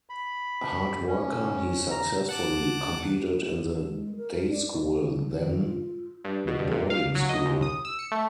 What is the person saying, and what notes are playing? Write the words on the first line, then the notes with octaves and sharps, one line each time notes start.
Hard-worker, he successfully competed in the day school then the boarding school.
B5
C#4
A#5
F#5 A5 D6
G#3
A#4
D5
D#3
D3
D#3
F4
G2
B2
G2
A#2
F5
F#3
D#5
D#2
D#6
E6
C#7
A3